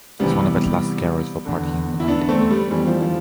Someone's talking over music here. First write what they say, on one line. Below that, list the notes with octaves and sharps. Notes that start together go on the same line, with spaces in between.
It's one of the classic areas for partying the night away.
C2 C3 E3 G3 B3
E2 D3
E4
B3 D4
A3 C4
G3 B3
F2 E3 G3
F3
F3